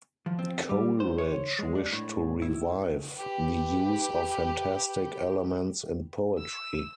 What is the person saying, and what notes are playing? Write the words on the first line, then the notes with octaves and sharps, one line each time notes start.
Coleridge wished to revive the use of fantastic elements in poetry.
F3
C4
G3
C5
C#5
G#3
D4
A2
E4
G4 B4
E6